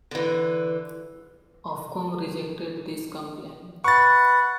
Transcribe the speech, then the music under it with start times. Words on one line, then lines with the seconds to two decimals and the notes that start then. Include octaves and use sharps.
Ofcom rejected this complaint.
0.11 D3 E3
3.84 B4 F#5 C#6 A6